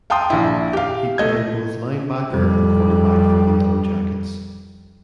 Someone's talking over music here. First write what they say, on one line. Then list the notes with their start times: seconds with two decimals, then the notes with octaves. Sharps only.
He played both linebacker and quarterback for the Yellowjackets.
0.10 F5 G5 A5 C6 D#6
0.30 A#1 E4
0.73 G4 F5
1.18 A3 D#5 G#6
2.30 F2 G3